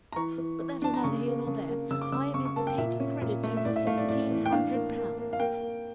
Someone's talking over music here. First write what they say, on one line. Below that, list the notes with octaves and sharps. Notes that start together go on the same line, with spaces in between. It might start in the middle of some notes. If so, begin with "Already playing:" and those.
But that is neither here nor there. I am his detaining creditor for seventeen hundred pounds!'
A#5
E3 C#6
E3
E3
D4 A5
A#5
C#3 C#6
A#3
C#3
A#3
C#3 E6
D6
C#3 E6
C#3 C#6
C#6
A#3 A5
G5
A#2 E5
C#4
A#2
A3
E5
A2 D5
E5
A3 F5
D5
A2 D5
E3
G5
D4 F5
A#3
A#3
A#3
F5
A#3 G5
A#3